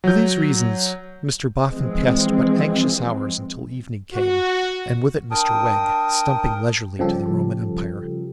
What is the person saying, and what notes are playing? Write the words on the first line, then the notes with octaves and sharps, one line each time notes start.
For these reasons Mr Boffin passed but anxious hours until evening came, and with it Mr Wegg, stumping leisurely to the Roman Empire.
F#3 G6
E3 F3 G#3 C4
F#4
D4 A#4 G5 D#6
C#3 F3 G3 G4 A4